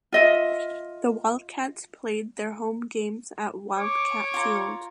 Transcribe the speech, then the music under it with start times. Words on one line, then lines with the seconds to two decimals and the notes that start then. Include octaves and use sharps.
The Wildcats played their home games at Wildcat Field.
0.13 F4 D#5 E5
3.77 C#5 D6
4.34 F4 A#5